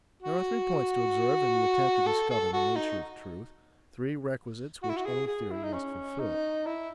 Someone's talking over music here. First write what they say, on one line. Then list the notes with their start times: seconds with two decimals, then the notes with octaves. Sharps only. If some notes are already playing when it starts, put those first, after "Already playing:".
There are three points to observe in the attempt to discover the nature of truth, three requisites which any theory must fulfil.
0.23 F#4
2.07 A4
2.30 A4
2.53 F#4
2.76 D#4
4.83 F#4
4.90 E4
4.97 F#4
5.06 G#4
5.27 G#4
5.51 E4
5.63 D#4
5.74 C#4
6.20 D#4
6.66 E4